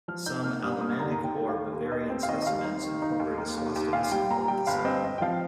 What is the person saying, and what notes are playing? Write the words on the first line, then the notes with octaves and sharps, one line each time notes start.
Some Alemannic or Bavarian specimens incorporate a swastika symbol at the center.
F3 F6
D#4 G6
A#3 F6
G2 D#6
A#3 D#6
D#2 A#5
D#2
G5
D#2
F5
D#3
D#2
D#2 D#5
C4 C5
F5
D#3 D#5
D#5
D#2 F5
D#4
D#3
D#4
D#2
A#3
D#2
D#2
A#2 F5
G3 G5
A#2 A#5
G3 G5
G1 F5
C4 D#5
C4 D#5
G5
F3 F5